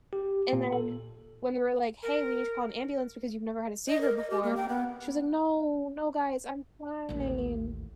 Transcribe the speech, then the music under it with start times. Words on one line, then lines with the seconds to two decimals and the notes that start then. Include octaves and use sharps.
and then when we were like, "Hey, we need to call an ambulance because you've never had a seizure before." She was like, "No, no, guys, I'm fine,
0.13 G4
0.53 A#2
0.73 A4
2.03 A#4
3.88 D#5
4.01 A#4
4.17 D#5
4.30 G4
4.43 A#3
4.57 G5
4.69 B3
7.09 A1 D#2